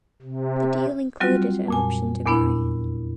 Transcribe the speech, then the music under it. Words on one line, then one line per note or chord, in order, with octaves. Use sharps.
The deal included an option to buy.
C3
F#3 G3 C4 F4 F#4
F2 A#2 G#5
E2 A#2 B3 D4 E4